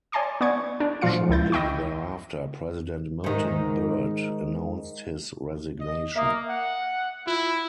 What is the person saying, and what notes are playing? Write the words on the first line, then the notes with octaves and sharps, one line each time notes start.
Shortly thereafter, President Milton Byrd announced his resignation.
C#5 D5 G#5 A5 C6 D6
B3 D5 C#6 G#6 C#7
D4
A#2 F3 F4 F5 C#7
C#2 E4 G6 A6
D#5 E5 G5 B5 C#6
G#2 D#3
D#5
A#3 E5 D#6
F#5
E4 F4